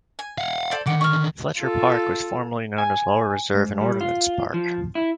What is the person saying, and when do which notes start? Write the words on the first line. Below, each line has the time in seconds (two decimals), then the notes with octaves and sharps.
Fletcher Park was formally known as Lower Reserve and Ordinance Park.
0.19 G#5
0.38 F5 F#5
0.71 A4 C5 D5
0.86 D3 D#3 F#5 G5 D6
1.01 C#6 F6
1.58 F4 A4
2.78 G#5
3.54 G#2
3.81 G3
4.01 F4
4.54 F3
4.95 E4